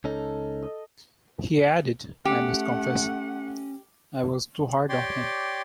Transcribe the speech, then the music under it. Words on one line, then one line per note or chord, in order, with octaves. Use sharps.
He added, I must confess..I was too hard on him.
C#2 C#4 D#4 A4
D#5
A3 C#4 G4 F#5
G4 C#5 D5 G5 C6 D6